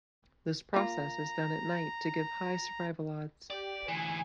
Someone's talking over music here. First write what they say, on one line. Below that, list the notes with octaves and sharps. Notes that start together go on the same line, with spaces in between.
This process is done at night to give high survival odds.
A#3 F4 A#5
G4 D5
D2 E3 G#5